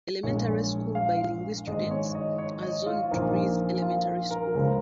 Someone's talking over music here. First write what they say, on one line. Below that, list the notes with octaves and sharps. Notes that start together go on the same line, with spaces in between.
Elementary school bilingual students are zoned to Rees Elementary School.
A#1 A#2 G#3 C#5
F5
G#1 G#2 G#3 D#5
C#5
D#5
C#5
D#5
F4
A#1 A#2 F3 A#3 D#4
F4
A#4
C#2 C#3 F3 G#3